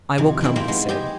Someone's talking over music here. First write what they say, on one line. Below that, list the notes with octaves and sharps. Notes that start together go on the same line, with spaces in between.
"I will come," he said.
F2 C3 D#3 E3
B2 D#3 C4 E4
G#3 A#3 C4 E4 F4 G4
G#3 B3
G4 G#4 C5 D#5 G#5